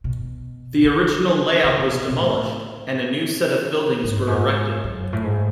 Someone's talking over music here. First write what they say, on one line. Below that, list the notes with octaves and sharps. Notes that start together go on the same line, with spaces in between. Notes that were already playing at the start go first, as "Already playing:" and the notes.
The original layout was demolished, and a new set of buildings were erected.
B2
D#3
C#3
B2
B2
A2
G#2
F#2
G#2
F#2
A2
G#2